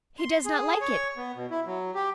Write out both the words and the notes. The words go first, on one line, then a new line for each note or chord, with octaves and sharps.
He does not like it!
C6
G#4
C#5
B3
B2
E4
F#3
G4